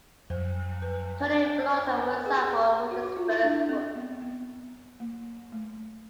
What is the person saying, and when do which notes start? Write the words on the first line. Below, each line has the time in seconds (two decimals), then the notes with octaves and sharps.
Tony Bellotto, for example, wrote his first book.
0.30 C5
0.82 B4
1.86 C5
2.00 B4
2.12 A#4
2.26 G#4
2.38 G4
2.91 F#4
3.03 F#4
3.17 F4
3.29 E4
3.43 D4
3.69 C4
3.95 B3
4.22 B3
5.00 A#3
5.52 A3